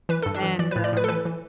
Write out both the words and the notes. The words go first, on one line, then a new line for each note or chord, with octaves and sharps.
And, um
E3 B4
A4
G2
D4
E3
E3 D5
B4
A2
D5
A2 B4
A4
E3 B4
E3